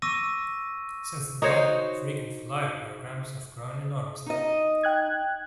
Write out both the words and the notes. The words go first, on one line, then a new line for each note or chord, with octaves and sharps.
Since then, frequent-flyer programs have grown enormously.
C#6 D6 E6 A#6 D#7
D#4 F#4 C5 C#5
D#4 D#5
G5 F#6 G#6